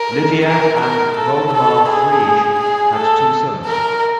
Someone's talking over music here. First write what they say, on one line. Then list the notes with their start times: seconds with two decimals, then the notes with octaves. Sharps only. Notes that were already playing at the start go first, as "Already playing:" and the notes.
Livia and Woldemar Frege had two sons.
Already playing: A#4
0.46 A#4
0.81 A#4
1.17 A4
1.53 A4
1.88 G#4
2.59 G#4
2.95 A4
3.65 A#4